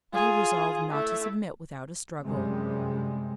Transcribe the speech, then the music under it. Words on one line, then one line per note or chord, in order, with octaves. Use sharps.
But he resolved not to submit without a struggle.
F4 G#4
A3 E4
F#2 C3 G3 G#3